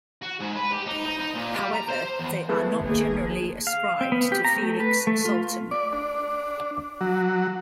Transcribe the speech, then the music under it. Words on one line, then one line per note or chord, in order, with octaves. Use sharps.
However, they are not generally ascribed to Felix Salten.
F#4
G#2
B4
G4
D#4
D#4
D#4
A#2
G3
A#5
C5
E2
E3 G#3 A3 B3
D#3 A#3 G#4
F5
C4
B3
G4
A#5
A3
B4
A3
F4
D5
D4
F#3